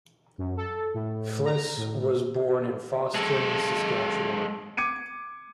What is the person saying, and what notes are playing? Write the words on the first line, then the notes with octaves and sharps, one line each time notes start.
Flis was born in Fosston, Saskatchewan.
F#2
A4
A2
A#5
A2
G#3 A4
D6 G#6 C#7 D#7